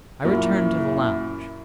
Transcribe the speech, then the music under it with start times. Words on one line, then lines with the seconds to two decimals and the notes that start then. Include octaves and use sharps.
I returned to the lounge.
0.24 F#2 A#2 A#3 E4